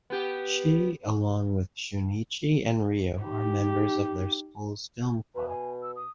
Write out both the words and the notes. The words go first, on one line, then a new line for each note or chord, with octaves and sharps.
She along with Shunichi and Riho are members of their school's film club.
B3 G4
D#4 G4
B2 B4
G#5
E6
D#6